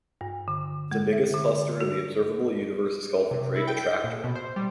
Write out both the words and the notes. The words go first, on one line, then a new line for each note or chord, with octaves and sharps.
The biggest cluster in the observable universe is called the Great Attractor.
G2
D3
G#3
E5
D3
F#4
C3
E4
G5
G6
A#2
B2
C5
G3